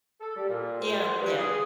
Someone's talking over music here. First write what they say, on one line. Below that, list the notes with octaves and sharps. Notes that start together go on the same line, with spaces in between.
Yeah, yeah,
A4
G3
A#2
C5
G2
G#4